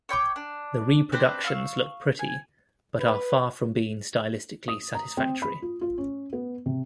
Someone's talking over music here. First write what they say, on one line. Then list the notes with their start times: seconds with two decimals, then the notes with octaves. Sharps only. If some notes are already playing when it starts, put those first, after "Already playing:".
The reproductions look pretty, but are far from being stylistically satisfactory.
0.09 C#5 G5 C6 D6
0.36 D4
1.12 C4 D4 B4 C5
1.44 F5 C#6 E6
2.19 G#5
2.99 B4
4.68 D#6
4.95 A#5
5.17 C4
5.42 B5
5.62 F4
5.81 F4
5.98 C#4
6.33 B3
6.66 C3